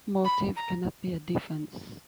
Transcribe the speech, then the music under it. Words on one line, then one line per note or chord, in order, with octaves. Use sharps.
Motive cannot be a defense.
B5
A#5